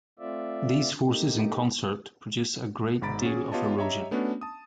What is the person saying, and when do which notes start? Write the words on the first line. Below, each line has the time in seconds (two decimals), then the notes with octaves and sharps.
These forces in concert produce a great deal of erosion.
0.19 A3 C4 F4 D5 E5
1.05 A3 A#3 D#4 G4
3.02 G#1 G#2 A#5 B5 A6 D7
3.23 C#4 F#4 G#4
3.52 B3 F4 G4 C#5 D#5 A5
3.77 G4 C#5 D#5 E5 A#5
4.11 A3 B3 C#4 D4 F#4
4.41 A5 D#6